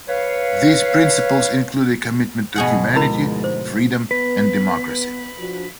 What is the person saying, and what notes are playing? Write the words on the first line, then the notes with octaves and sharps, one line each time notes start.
These principles include a commitment to humanity, freedom, and democracy.
B4 C#5 F5
D2 G#2 B2 F3 G#4 F#5
E4 A#4 B5
C5
B3 B4
F3 D4 F#4